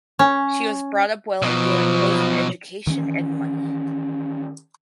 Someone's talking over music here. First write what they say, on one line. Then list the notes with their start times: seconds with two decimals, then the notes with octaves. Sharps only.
She was brought up well enjoying both an education and money.
0.19 C#4
1.42 B1 B2 F3
2.87 D#3 E3 C4 C#4